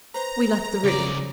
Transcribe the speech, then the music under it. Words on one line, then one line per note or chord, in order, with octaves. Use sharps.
We left the room.
B4 C5 A#5
C#2 C#3 D5 D6